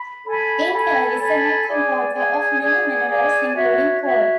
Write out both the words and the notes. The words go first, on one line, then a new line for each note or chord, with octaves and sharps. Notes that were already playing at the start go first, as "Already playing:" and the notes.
India is a net importer of many minerals including coal.
Already playing: B5
A4 C#5 G#5 B5
A4 C#5 G#5 B5
A4 C#5 G#5 B5
G#4 D5 G#5
G#4 D5 G#5
G#4 D5 G#5
G#4 D5 G#5
F#4 C#5 E5
F#4 C#5 E5